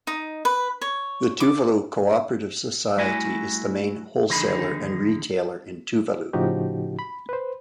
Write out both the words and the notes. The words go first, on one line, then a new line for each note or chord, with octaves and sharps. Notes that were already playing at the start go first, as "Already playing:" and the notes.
The Tuvalu Cooperative Society is the main wholesaler and retailer in Tuvalu.
D#4
B4
C#5
D6
G3 A3 E4 F#4 G#5
D#2 D3 F3 D#4 G#4 B5
A2 C#3 F3 D#4 F#4 G4
B5
B4 C5